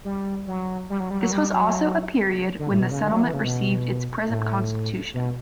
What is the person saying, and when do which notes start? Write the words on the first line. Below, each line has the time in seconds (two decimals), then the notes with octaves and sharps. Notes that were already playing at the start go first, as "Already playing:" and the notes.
This was also a period when the settlement received its present constitution.
0.05 G3
0.47 F#3
0.90 G3
1.00 F#3
1.10 G3
1.21 F#3
1.31 G3
1.53 F#3
2.59 D3
2.70 A2
2.80 B2
2.91 C#3
3.02 D3
3.12 F#3
3.23 E3
3.33 C#3
3.44 B2
4.29 A2
5.14 B2